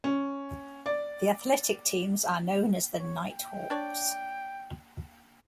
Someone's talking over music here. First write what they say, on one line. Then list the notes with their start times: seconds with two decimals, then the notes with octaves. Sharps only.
The athletic teams are known as the Night Hawks.
0.04 C#4
0.86 D5
2.99 C#5
3.32 G5
3.70 D4 C#5 D5